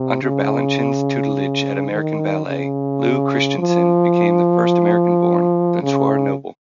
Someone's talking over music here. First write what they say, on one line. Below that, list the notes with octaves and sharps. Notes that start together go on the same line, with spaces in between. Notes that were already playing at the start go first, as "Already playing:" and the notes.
Under Balanchine's tutelage at American Ballet, Lew Christensen became the first American-born "danseur noble".
Already playing: C3
C#3
D#3
C#3
F3
C#3